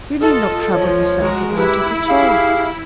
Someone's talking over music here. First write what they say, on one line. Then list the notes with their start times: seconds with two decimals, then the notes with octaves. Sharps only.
You need not trouble yourself about it at all.
0.18 F4 A4 D#5
0.73 C#2 F3 C#5
1.20 G#3 F#4 A#4
1.56 E4 G4 B4
2.07 G4 G#4 F5